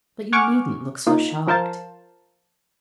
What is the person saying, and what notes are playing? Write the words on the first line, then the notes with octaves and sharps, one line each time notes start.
But you needn't look so shocked.
F#5 G#5 C#6 D6 F6
A#3 D#4 F4
F3 A#4 C5 F5 A5